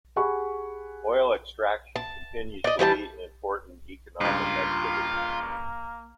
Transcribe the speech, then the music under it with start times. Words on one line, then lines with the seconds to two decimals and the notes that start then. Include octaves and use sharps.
Oil extraction continues to be an important economic activity.
0.16 G4 G#4 F#5 G#5 B5 C#6
1.96 A5
2.64 D5 D#5
2.79 E3 G3 B4 A5
4.21 C#2 G2 A#3 F4